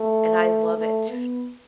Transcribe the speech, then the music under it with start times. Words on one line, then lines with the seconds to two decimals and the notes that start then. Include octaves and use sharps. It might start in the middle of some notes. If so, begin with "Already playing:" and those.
And I love it.
Already playing: A3
0.78 A3
1.09 B3